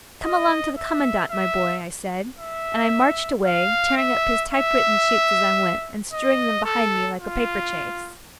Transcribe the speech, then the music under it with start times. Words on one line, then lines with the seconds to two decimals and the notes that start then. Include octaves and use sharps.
'Come along to the commandant, my boy,' I said, and I marched away, tearing up his typewritten sheets as I went and strewing them behind me like a paper chase.
0.24 D#5
0.77 E5
1.31 E5
2.38 E5
3.45 F5
3.98 E5
4.51 E5
6.13 D#5
6.65 A4
7.19 F4